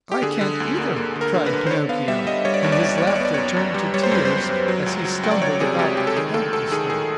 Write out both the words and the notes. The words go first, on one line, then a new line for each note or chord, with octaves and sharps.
"I can't either," cried Pinocchio; and his laughter turned to tears as he stumbled about helplessly.
G4
D3 G#4
D3
D2
A#3
A#3
D3
A#4
D3
B4
D3
C5
D3 C#5
B3 F5
G3 E5
G3 D#5
G3 C#5
D5
D#2 C#5
D5
G3 C#5
D5
D#2 C#5
D5
C#5
B3 D5
F#2 C#5
F#2
G3
G3 C#5
C5
F#2 B4
C5
F#2
F#2
F#3
C#2
F#3
C#2
D5
C#2 C#5
C3 G#4
C#2 G4
C#2 G4
A4
D#3 G#4
D2 A4
D2 A4
D#3 G#4
D#3 G#4